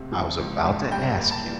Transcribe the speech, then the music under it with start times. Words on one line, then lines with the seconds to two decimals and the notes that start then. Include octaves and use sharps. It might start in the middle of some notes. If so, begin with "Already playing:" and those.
I was about to ask you.
Already playing: C#2 C3 A3
0.12 F3
0.39 C#2
0.64 A3
0.91 G2 G5
1.17 A#3
1.31 A5
1.44 E3